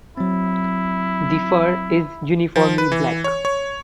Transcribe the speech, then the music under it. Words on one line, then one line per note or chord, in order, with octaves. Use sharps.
The fur is uniformly black.
F#3 C4 E4
F3
B4
E3
C#5
C#5